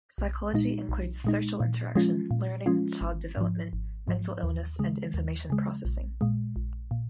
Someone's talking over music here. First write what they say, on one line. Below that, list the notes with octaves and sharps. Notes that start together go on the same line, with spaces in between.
Psychology includes social interaction, learning, child development, mental illness and information processing.
B1
A#2 G#3 D#4
B1
A#2 G#3 D#4
A#2
F3 G#3 C#4 F4
A#2
F3 G#3 C#4 F4
G#1
G#2 F3
G#1
G#2 F3
D#2
C#3 G#3
D#2
C#3 G#3
A#1
A#2 G#3
A#1
A#2